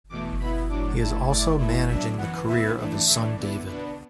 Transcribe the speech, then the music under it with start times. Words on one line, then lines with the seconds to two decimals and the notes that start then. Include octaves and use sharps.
He is also managing the career of his son David.
0.10 E2 B2 A3 D6
0.40 B2 B3 E4 B5
0.69 A2 F#3 D4 D6
0.99 D3 A3 E4 A5
1.28 A2 A3 E4 D5
1.58 B2 A3 E4
1.88 B2 F#3 D4 E5
2.17 F#2 E3 B3 F#5
2.47 D3 B3 E4 E5
2.77 A2 E3 A3 D4
3.06 A2 E3 A3 D4 E5
3.36 D3 B3 E4 D5
3.66 B2 B3 D4 B4